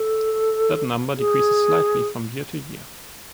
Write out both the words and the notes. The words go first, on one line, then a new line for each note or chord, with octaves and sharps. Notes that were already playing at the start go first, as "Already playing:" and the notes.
That number decreases slightly from year to year.
Already playing: A4
G#4